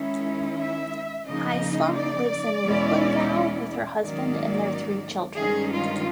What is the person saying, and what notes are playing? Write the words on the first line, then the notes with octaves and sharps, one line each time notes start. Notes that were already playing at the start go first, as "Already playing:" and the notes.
Hyslop lives in Linlithgow with her husband and their three children.
Already playing: D#3 G#3 C#4 E4
E5
C#3 F3 A#3 D#4 D#5
D5
E2 B2 G#3 C#4 E4
G#2 D#3 F#3 A#3 C#4 D5
G2 D#3 G#3 C#4 G#4
F4